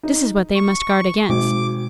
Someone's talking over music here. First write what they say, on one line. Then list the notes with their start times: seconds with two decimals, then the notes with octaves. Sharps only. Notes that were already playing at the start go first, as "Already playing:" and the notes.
This is what they must guard against.
0.03 D#4
0.55 C#6
1.29 G#1 B2 D6